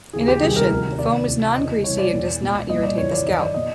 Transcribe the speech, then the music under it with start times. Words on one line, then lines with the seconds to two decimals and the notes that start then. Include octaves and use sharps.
In addition, the foam is non-greasy and does not irritate the scalp.
0.13 D#2 C#3 E3 G#4
0.28 G4
0.42 C2 C3 D#3 G#4
0.56 A#4
0.70 D2 C3 D#3 A#4
0.99 D2 C3 D#3 D5
1.27 D2 C3 E3
1.56 E2 C#3 E3 D#5
1.84 C2 C3 E3 C#5
1.98 D5
2.12 E2 B2
2.41 C#2 B2
2.69 C2 A#2 D#5
2.83 D5
2.97 F2 C#3 E3 C#5
3.12 D5
3.26 F#2 D#3 D#5
3.41 D5
3.54 B2 D#5